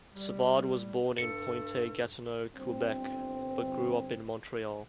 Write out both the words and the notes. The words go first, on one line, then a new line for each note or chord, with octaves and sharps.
Savard was born in Pointe Gatineau, Quebec, but grew up in Montreal.
G3
G2 A4 C#7
G1 C4